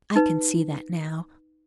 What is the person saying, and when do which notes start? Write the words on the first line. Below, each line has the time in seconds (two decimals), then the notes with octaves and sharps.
I can see that now.
0.16 D#4 B4